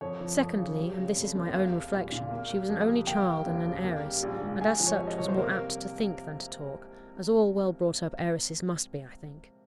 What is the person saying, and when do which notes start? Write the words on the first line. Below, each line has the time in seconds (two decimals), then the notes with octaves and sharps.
Secondly,--and this is my own reflection,--she was an only child and an heiress; and as such was more apt to think than to talk, as all well-brought-up heiresses must be. I think.
0.01 F2 C#5
0.20 F3
0.40 F2
0.58 C#3
0.78 G3
0.97 C#3
1.16 F1
1.35 D#2
1.54 A#3 F5
1.74 G3
1.92 A#1
2.12 A#2
2.31 A#3
2.50 G3
2.70 F2
2.88 C3
3.07 A#3 G5
3.27 G3
3.46 D#2
3.66 C#3
3.84 A#3
4.04 G3
4.23 A#1
4.42 G#2
4.61 G#3 G#5
4.80 F3
4.86 C#5
5.00 C2
5.07 D#5
5.18 C3 C#5
5.28 C5
5.37 A#3 A#4
5.57 G3